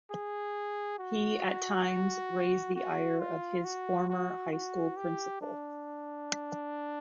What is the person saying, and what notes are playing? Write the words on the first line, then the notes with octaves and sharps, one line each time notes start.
He at times raised the ire of his former high school principal.
G#4
F#4
F#4
F4
F#4
F#4
F#4
G4
D4